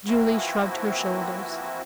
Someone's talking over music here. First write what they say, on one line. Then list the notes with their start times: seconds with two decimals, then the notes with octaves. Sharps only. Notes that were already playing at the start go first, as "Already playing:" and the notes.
Julie shrugged her shoulders.
0.07 E3 F3 A#3 C4 E4 F#4